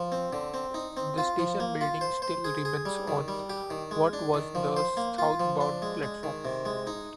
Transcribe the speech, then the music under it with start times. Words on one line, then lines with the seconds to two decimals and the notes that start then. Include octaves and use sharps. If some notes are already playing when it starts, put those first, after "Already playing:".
The station building still remains on what was the southbound platform.
Already playing: F3
0.12 C4
0.33 D3
0.54 C4
0.74 D#4
0.97 C4
1.18 F4
1.39 F3
1.60 A#3
1.81 F4
2.01 C5
2.22 C5
2.44 G#4
2.65 G#4
2.85 G3
3.08 D#3
3.28 G3
3.50 G4
3.70 D#3
3.91 G#3
4.13 D4
4.34 D#3
4.55 F3
4.77 C5
4.97 A#3
5.18 F4
5.40 F3
5.61 D4
5.82 G#3
6.03 G#3
6.23 D#3
6.45 C3
6.65 G#3
6.87 D#4